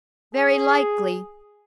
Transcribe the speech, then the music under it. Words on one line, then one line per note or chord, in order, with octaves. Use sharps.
Very likely.
G#4